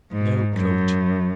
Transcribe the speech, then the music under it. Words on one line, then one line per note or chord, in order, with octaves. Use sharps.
No coat!
G#2
F#2